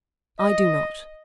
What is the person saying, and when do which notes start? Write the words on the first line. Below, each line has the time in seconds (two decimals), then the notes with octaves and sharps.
I do not.
0.39 D#5